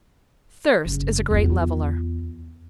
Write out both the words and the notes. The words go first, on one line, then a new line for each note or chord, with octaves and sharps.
Thirst is a great leveller.
F#1
E2 F4